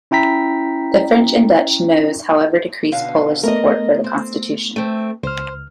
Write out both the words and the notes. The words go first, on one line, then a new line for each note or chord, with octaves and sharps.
The French and Dutch no's however decreased Polish support for the Constitution.
C#4 E4 G5 A#5 B6
B2 D3 F5
A3 B3 A#4 D#5
C4
A3 C4
C#2 C5 F6